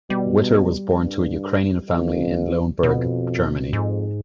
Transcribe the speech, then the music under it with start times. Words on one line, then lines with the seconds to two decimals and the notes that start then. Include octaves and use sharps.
Witer was born to a Ukrainian family in Leonberg, Germany.
0.10 B2 G3
1.01 G2
1.93 F2
2.83 F2 B2
3.73 F2 G#2